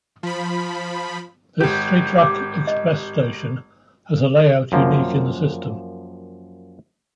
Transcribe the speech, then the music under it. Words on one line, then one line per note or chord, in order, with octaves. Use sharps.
This three-track express station has a layout unique in the system.
F3 B5
G#1 G4
D6
D#5
F#2 F3 A#3